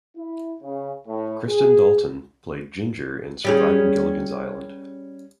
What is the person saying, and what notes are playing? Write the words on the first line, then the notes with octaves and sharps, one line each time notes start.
Kristen Dalton played Ginger in "Surviving Gilligan's Island".
E4
C#3
A2
G#4
G3 C#4 G#4